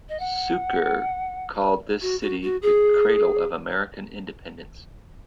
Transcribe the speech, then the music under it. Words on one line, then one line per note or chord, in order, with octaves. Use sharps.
Sucre called this city the cradle of American Independence.
D#5
F#5
F#4
F#4
F#4
G#4